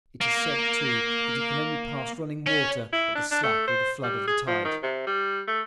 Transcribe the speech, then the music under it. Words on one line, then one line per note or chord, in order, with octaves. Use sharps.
It is said, too, that he can only pass running water at the slack or the flood of the tide.
A#3
C#4
E4
D4
D4
A3
C5
G3
G#4
F3
D#3
C3
G3
A3